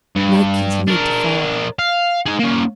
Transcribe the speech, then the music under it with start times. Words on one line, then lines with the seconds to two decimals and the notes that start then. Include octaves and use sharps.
Night continued to fall.
0.15 G2
0.88 D4 A#4
1.79 F5
2.26 D#4 G#4
2.39 A#3 C#4